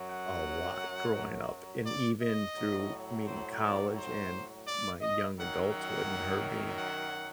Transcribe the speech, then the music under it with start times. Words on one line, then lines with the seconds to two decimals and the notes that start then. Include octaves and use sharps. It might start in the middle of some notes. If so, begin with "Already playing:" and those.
a lot growing up. And even through me in college and my young adulthood and her being
Already playing: F#2 F#3
0.09 F#5
1.85 D5
2.20 D#5
2.55 A2 F#3
3.25 C5
3.60 D5
3.96 C5
4.66 D5
5.01 D#5
5.37 F#2 D#3 F#3 F#5
5.72 F#5
6.78 F#5